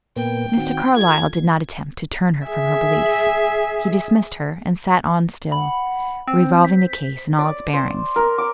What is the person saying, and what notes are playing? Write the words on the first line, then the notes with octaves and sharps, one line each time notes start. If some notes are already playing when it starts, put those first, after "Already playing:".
Mr. Carlyle did not attempt to "turn her from her belief." He dismissed her, and sat on still, revolving the case in all its bearings.
A#2 A#3 B3 G5
D#3 C4 F#4
F4 A4 G#6
G#4 E5
F#5 B5
C4 C5
B6
D5
C5
A#4
D6